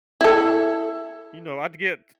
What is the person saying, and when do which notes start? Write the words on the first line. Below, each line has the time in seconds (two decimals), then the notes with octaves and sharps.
you know, I'd get
0.21 E4 A4